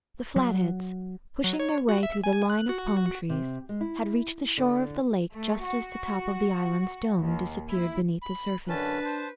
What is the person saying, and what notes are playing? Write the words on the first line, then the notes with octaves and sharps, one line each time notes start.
The Flatheads, pushing their way through the line of palm trees, had reached the shore of the lake just as the top of the island's dome disappeared beneath the surface.
F#3
F#3
C#5
F#4
E5
G#5
F#6
F#4
C3
G#3
E4
D3
A3
F#4
D#2
E4
B5
F#2 D3 C#4 D4 B4 A5
C5